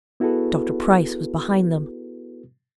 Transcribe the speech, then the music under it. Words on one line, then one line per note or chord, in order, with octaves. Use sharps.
Dr. Price was behind them.
B3 E4 F#4 G#4 A4 B4